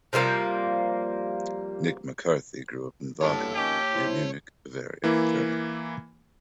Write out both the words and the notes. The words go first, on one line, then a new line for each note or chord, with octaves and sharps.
Nick McCarthy grew up in Vagen near Munich, Bavaria, Germany.
C3 F3 G3 A#3
G2 E4 A4 C#5 A5
F2 D#3 C#4 G4
E4 C5
E3 A#3 E4